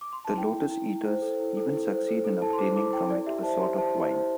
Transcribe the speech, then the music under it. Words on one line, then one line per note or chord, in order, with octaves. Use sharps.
The lotus-eaters even succeed in obtaining from it a sort of wine.
D6
C6
A5
E4 G5
E4
E4
E4
C5
A4
E4
A4
E4
C5
A4
A4
E4 A5
C6
C5 D6
E4 D6
E4 G5
E4 D5
G4 E5
C5 A5
G4 C6
C5 A5
E4
C5